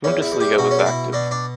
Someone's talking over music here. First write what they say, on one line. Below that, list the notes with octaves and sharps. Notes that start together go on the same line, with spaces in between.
Bundesliga was active.
E2 C#4
E4
E2
G4
B2 F#4
C#4
D4
B2 E4
B2 D4
D4